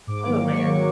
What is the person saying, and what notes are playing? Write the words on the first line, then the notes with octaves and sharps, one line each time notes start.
Oh, man.
G#2 D6
D#3 F#3 A#3
G#2 C#6
D#3 F#3 A#3